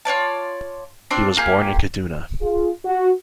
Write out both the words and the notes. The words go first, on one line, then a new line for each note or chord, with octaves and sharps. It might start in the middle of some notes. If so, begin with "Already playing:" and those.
He was born in Kaduna.
F4 C#5 D5 A5
C4 D4 F4 D5
A#3 F4 G4 G#4
F4 G#4
F#4